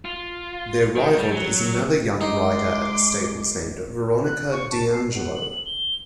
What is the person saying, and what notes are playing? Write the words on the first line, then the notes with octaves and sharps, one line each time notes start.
Their rival is another young rider at the stables named Veronica DiAngelo.
F4
D#3
G3
F#3
G#3 D#4 C6 D6
F#6
C#6
A5
C7
F#5
F#7
G7